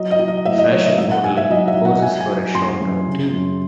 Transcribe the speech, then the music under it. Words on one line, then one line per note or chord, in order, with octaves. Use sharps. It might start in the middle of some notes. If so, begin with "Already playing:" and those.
Fashion model posses for a shot or two.
Already playing: F#3 D#5
D#5
F#3
D#5
A2 E5
D#5
F#3 C#5
D#5
G#2 E5
F#5
G#2 G#5
E5
F#3 D#5
E5
F#3
F#5
F#3 G#5
G#5
F#3
F#2 C6
F#2
C#3
F#2